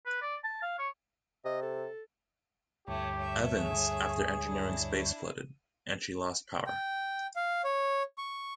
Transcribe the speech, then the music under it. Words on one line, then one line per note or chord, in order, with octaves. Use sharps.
"Evans" after engineering spaces flooded, and she lost power.
B4
D5
A5
F5
C#5
C3 D#5
A4
D2 G2 A3 E4 G4 C#5
A3 E5
G#4
D4 E4
G5
F5
C#5
C#6